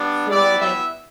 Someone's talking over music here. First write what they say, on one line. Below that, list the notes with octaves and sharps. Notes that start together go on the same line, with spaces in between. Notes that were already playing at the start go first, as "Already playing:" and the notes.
for, like,
Already playing: G3 B3 D4
G3 B3 E4 D5
E5